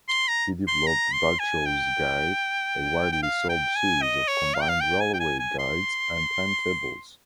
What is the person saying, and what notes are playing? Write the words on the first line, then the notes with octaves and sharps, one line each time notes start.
He developed Bradshaw's Guide, a widely sold series of combined railway guides and timetables.
C6
A#5
C6
A#5
C6
G#5
G5
G5
F5
G5
G#5
D#5
C#5
F5
G5
F5
G5
G#5
G5
G#5
G#5
C6